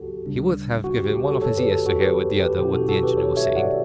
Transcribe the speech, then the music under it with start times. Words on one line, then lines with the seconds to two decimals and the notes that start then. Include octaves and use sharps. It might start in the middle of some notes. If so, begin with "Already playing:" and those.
He would have given one of his ears to hear with the other what the engineer was saying.
Already playing: C#2 C#3 F#3 B3 F#4 G4 A4
0.26 D2 C#3 G3 D4
0.84 F#4
0.98 G4
1.13 G4
1.28 F#4 A4
1.42 F#2 D3 A3 A4 C#5
1.57 G4 B4
1.72 F#4 A4
1.86 F#4 A4
2.01 G4 B4
2.39 G4 B4
2.58 B2 F#3 C#4 E4 G4
2.73 F#4 A4
2.88 F#4 A4
3.03 G4 B4
3.17 A4 C#5
3.37 C#5 E5
3.56 D5 F#5